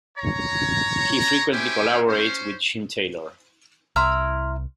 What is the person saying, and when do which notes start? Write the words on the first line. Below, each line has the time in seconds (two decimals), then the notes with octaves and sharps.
He frequently collaborates with Jim Taylor.
0.18 C#5 A#5
1.52 C#4 E4 G4 C5 G5 G#5
2.08 C#4 C5
3.96 C2 E4 A#5 C6 E6 F6